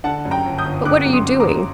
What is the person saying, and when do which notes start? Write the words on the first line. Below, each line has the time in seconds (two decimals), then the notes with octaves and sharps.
But what are you doing?
0.04 D3 F#5 A5
0.25 F#2
0.31 G5 A#5
0.45 G1
0.58 D#6 G6
0.65 G1
0.85 D3 D6 F#6
1.06 F#2
1.13 C6 D#6
1.26 G1
1.40 A#5 D6
1.47 G1